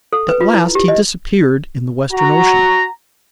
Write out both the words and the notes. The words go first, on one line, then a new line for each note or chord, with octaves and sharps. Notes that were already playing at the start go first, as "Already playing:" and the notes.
At last he disappeared in the western ocean.
A4
B4
F4
E4
G4
D#5
F#4 A#5